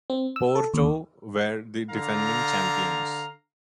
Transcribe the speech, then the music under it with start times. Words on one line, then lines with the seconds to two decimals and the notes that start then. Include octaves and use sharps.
Porto were the defending champions.
0.10 C4
0.36 E6
0.55 A4
0.74 D#2
1.90 D3 F5 A#5